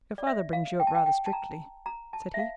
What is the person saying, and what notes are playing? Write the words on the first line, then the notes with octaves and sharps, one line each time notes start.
"Your father brings you up rather strictly?" said he.
D5
E5
F5
G5
A5
G5
G5
A5
A#5
A#5
A5
E5
F5